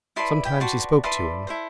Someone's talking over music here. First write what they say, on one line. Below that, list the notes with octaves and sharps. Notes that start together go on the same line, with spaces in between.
Sometimes he spoke to him.
E4 B4 D5 A5 C6
G5 B5
F#4 B4 D5 A5 C6
E4 B4 D5 A5 C6
E4 A4 C5